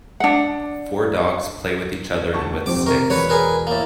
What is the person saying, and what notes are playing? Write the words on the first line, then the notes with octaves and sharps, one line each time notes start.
Four dogs play with each other and with sticks.
D4 F#5
D2 A5 C#6
D#1 F2 C4 D6
C3 A#4 C#6
E1 B4 C#5
G#4 A#4 B4
A2 A#3